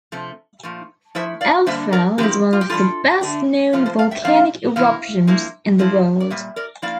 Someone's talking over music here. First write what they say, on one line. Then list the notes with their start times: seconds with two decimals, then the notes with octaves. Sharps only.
Eldfell is one of the best known volcanic eruptions in the world.
0.12 C3 F3 A3
0.63 A#2 F3 A3
1.15 F3 A3 E4 C5 E5
1.41 D5 F5
1.66 D3 G3 A#3 D4 C5 E5
1.93 A#4 D5
2.18 D3 F3 C4 E4 G4 A#4
2.53 F4
2.61 G4
2.69 E3 G3 D4 F4 A4
3.21 D3 A3 D4
3.73 C3 F3 A3 F4
3.86 A4 C5
3.99 D5 F5
4.11 E5 G5
4.25 F3 A#3 D4 D5 F5
4.76 C3 E3 A#3 E4 F5
5.27 F3 A#3 E4
5.79 F3 A3 C4 E4
6.20 D5
6.30 A#2 G3 E5
6.56 A#4 D5
6.82 F3 A#3 E4 D5 F5